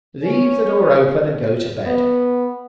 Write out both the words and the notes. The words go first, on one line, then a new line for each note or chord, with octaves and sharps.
Leave the door open, and go to bed.
C#4
B3